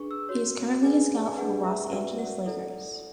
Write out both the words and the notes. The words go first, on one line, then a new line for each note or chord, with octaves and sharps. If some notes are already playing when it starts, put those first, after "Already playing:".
He is currently a scout for the Los Angeles Lakers.
Already playing: D4 G#4 B4 C#6
E6
F#4 C#5
G#4 B4 D5 G#5
G#5
D4 G#4 B4 F#5
E5
F#4 B4 D5 E5
F#5
E4 A4 D5